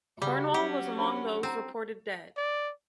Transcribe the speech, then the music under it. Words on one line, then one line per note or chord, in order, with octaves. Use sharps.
Cornwall was among those reported dead.
C#3 G3 F#4 G4 D5
F#3 C#4 G4 F#5
D4 C5 B5
C4 E4 A#5
D5